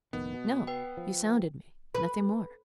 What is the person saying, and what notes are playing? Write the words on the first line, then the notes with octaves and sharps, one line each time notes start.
No, you sounded me, nothing more.
F1 A#1 D#3 B3
B2
B4 G5
F3
B4